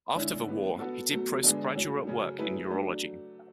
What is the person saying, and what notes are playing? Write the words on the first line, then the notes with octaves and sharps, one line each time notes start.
After the war, he did postgraduate work in urology.
D3 G#3 C#4 E4
A2 E3 B3
B3 F#4 A4
B2 F#3 A3
D3 G#3 B3 D4 G#4
A2 F#3 C#4
C#3 F#3 A3 C#4
F#3 A3 E4 G#4 B4
F#3 A3 D4